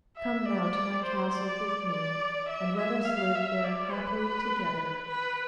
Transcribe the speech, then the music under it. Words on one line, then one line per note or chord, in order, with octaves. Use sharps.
Come now to my castle with me, and let us live there happily together.'
E5
D5
D5
C5
D5
D5
E5
E5
F5
E5
D5
B4
B4